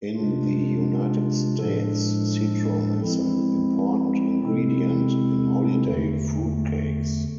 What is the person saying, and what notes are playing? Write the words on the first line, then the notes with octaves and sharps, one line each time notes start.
In the United States, citron is an important ingredient in holiday fruit cakes.
C3 G#3 D4 F4
A2 F3 G#3 D4 A4
F3 G#3 C4 E4
C3 G#3 C4 E4 A4
E2 D3 A3